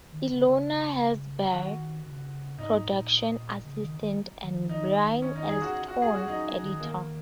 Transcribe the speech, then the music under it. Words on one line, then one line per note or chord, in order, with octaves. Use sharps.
Ilona Herzberg, Production Assistant and Brian Elston, Editor.
D#3
C#3
C#3
D#3 F#4
C#3
G#2 D#4
A#2
C#3
D#3
D#3
F#3
D#3
D#4
C#4
D#4
G#4
F#4
F#4
G#4
F#4
F#3 D#4
F#3
D#3
D#3 A#3